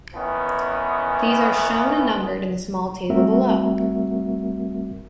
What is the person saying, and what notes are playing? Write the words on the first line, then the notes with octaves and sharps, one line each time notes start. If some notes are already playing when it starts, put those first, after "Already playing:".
These are shown and numbered in the small table below.
D#3 E3 B3 C#4
G3 A3 C4 F#4 A#4 E5